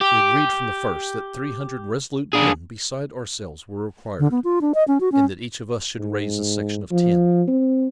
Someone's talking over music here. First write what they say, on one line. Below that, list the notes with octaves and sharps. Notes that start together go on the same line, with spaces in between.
We agreed from the first that three hundred resolute men besides ourselves were required, and that each of us should raise a section of ten.
G4
D4 G#4
D3
B3
F4
D4
D#5
C#4
F#4
C#4
G#2
F3
C4